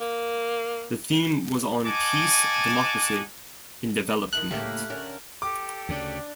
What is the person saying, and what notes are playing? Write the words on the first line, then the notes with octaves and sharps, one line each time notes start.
The theme was on peace, democracy, and development.
A#3
D#5 F#5 G#5 A5 D6
D#3 E4 A4 F#6
A2 C#3 A3 A#3 G4 F5
D3 C#4 A#4
G4 A4 D6
D2 C#3 D4